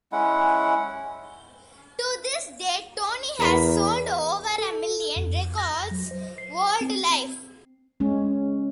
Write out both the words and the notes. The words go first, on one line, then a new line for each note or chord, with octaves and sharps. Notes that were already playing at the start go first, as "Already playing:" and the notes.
To this date Tony has sold over a million records worldwide.
G#3 C#4 E4 F#5
E2 A#4 B5
A4
F2
A#6
F#3
C5
C7
C4
G#3 C#4